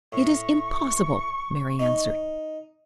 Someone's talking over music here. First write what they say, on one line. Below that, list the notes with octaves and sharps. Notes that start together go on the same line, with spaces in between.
"It is impossible," Mary answered.
A2 C#6
D#4